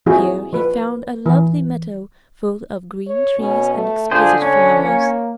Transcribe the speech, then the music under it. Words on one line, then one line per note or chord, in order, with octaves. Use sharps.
Here he found a lovely meadow full of green trees and exquisite flowers.
F3 C4 E4 F#4 G#4
F3 B4
E3
C#5
B2 C#4
A3
D3 D4 F4 G#4 C5
C#4 C#5
A#3